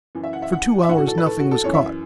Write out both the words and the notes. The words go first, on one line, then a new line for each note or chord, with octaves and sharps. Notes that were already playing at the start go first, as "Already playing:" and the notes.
For two hours nothing was caught.
F#2 E3
E5
F#5
E5
F#5
E5
A2 E3 F#5
F#4
A4
B4
A4
F#4
A4
F#2 E3 C#5
E5